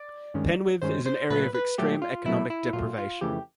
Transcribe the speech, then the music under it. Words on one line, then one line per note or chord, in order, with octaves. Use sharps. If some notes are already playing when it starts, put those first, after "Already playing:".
Penwith is an area of extreme economic deprivation.
Already playing: D5
G2 D#3 G#3 C#4
G2 D#3 G#3 C#4 C5
C5
A#2 F#3 A3 B4
B4
A#2 F#3 A3 G4
F4
A#2 F#3 A3 E4
E4
A#2 F#3 A3 F4
F4
F2 C#3 E3 A3 C#4 G4